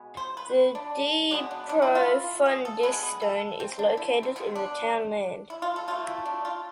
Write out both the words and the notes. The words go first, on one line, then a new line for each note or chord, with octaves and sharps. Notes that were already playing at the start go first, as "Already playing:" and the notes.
The De Profundis Stone is located in the townland.
Already playing: B2 G#3 B3
C5
B4
D4
B2 G#3 B3 D4
D4
D4
E4
F4
G#4
A4
D3 G#3 B3 B4
G#4
A4
C4
D4
E4
C4
C3 F3 B3 C4
D4
E4
F4
A4
B2 A3 F4
E4
D4
F4